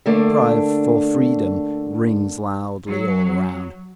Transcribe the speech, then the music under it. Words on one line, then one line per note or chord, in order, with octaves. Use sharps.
The cry for "freedom" rings loudly all around.
D3 A3 A#3 D4
F#3